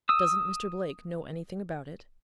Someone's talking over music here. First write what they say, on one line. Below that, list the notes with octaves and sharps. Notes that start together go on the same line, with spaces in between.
"Doesn't Mr. Blake know anything about it?"
D#6 E6